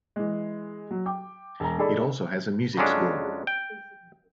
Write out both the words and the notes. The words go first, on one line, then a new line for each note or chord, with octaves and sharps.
It also has a music school.
E3 G#3
F#3
G5 D6
E1 A#5
D#4 G#4 A4 D5 B5
F2 F#3 G#3 C#4 D4
G5